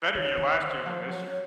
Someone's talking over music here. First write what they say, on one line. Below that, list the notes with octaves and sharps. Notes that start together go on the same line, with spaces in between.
better year last year than this year.
D#3 C#5
D#3
D3 C5
F3
F#3 C#5